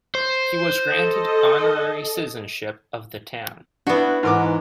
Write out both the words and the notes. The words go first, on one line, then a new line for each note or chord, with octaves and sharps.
He was granted honorary citizenship of the town.
C5
A4 D#5
B3 D4 E4 F#4 F#5
G#2 E3 D#4 A#4 D6